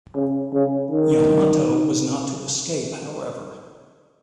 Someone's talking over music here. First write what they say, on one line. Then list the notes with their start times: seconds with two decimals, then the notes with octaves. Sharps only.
"Yamato" was not to escape, however.
0.16 C#3
0.53 C#3
0.91 D#3